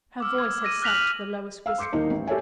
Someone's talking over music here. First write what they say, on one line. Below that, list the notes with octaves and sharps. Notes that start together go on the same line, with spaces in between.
Her voice had sunk to the lowest whisper.
D6 E6 F6
G#6
D6 E6 A#6 D#7
F6 F#6 A#6 B6 F7 F#7
F5 E6 F6
C6 D6 G6 C7 C#7
D#1 A#3 D#4 D#5
A1
G4 A4 C#5 D5 E5 G#5